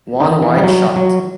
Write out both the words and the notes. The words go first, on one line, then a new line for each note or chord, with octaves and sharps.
One wide shot.
D#4
E3
G3
F#3
F#3